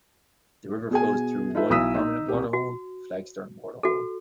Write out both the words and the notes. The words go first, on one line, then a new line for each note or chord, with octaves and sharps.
The river flows through one permanent waterhole; Flagstone waterhole.
B2 G#4 G#5
D#4 F4 A4 B4 E5
B1 E4 D#6 E6 B6
D#4
C2 G4
F#4
F#4 A4